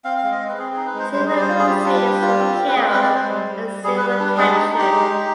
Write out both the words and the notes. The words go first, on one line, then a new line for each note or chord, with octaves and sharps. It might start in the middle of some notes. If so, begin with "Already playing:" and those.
Several crusaders were killed and several captured.
C4 F5
F5
G#3
D#5
C4
B4
C4 G#4
D#4 G#4
B4
G#3 C5
G3 C5
G3 G#4
D5
C5
F4
G#4
G3 G4
D4
G3
F4
C4
C4
B4
G#3 G#4
B4
C4
D5
G#3 C5
G3
G3
G3
G3 G#4
B4
G3
B4
D4
G#3 G#4
D#4 G4
D#4
G4
G#3
D#4